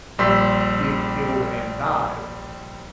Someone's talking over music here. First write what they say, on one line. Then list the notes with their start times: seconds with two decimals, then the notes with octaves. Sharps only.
get killed and die,
0.19 A#1 G3 C6 E6 G6 B6